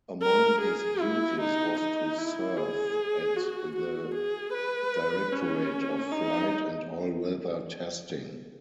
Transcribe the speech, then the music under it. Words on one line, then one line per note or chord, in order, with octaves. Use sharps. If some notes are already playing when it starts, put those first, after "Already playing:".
Among his duties was to serve at the Directorate of Flight and All-Weather Testing.
A#4
G#4
E4
D#4
D#4
E4
G#4
F#4
F#4
G#4
B4
C#4
D#4